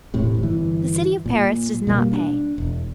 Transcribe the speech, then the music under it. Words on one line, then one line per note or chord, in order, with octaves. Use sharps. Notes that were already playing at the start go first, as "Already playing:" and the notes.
The city of Paris does not pay.
E1 A2 C3
G1 E3
A#2
B2 G3 A#3
D4
E1